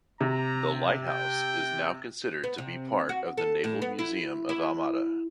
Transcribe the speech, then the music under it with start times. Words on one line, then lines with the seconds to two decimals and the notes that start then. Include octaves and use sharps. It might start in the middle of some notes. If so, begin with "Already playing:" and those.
The lighthouse is now considered to be part of the Naval Museum of Almada.
0.21 C3 A#5
1.04 G5
2.43 B3
2.58 C3
3.09 F#4
3.37 A4
3.64 A2
3.82 B3
3.99 E4
4.49 E4